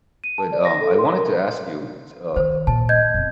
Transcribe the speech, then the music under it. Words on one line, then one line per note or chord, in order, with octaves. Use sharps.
But, um, I wanted to ask you, s uh,
D#7
A5
D5
A#6
A4
C6
A#4
D#3 C5
A#2 A5
D#5 G6 G#6
E1 F2